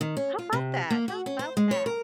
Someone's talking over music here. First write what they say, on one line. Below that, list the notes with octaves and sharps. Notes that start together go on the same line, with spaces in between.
How 'bout that? How 'bout that?
D#3
C#4
F4
C3
A#3
F#4
C#4
C5
G#3
C#5
A#4